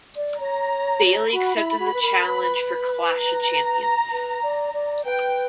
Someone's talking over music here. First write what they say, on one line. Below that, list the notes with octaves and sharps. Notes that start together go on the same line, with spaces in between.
Bayley accepted the challenge for Clash of Champions.
D5
C#5 A#5
F#4 B5
E4
F#4
B4
A#4
B4
A#5
B4
D5
D5
B4 G5